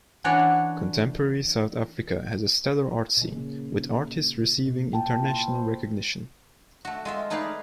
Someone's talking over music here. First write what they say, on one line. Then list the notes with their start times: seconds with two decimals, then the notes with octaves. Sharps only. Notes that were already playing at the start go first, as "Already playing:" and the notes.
Contemporary South Africa has a stellar art scene, with artists receiving international recognition.
0.24 E3 C#4 D4 F#4 C#5 D5
3.17 A#2 C#3
4.66 A#2
4.93 G5 A5
5.22 E4 F4
5.48 C5
6.85 A3 F#4
7.05 G#3 F4 E5
7.30 A3 D#4 G#4 B4 D5 F5